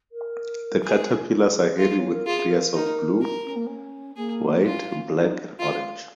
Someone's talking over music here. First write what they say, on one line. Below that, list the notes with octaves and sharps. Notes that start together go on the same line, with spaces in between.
The caterpillars are hairy with areas of blue, white, black and orange.
A#4
G#4
G#4
F4
C#5
A#4
F4 G#4
A#4
D#4 A#4
A#4
C#4
A#3
C#4
A#3 G#4
C#4 F4
C#4
C#4
D#4
F4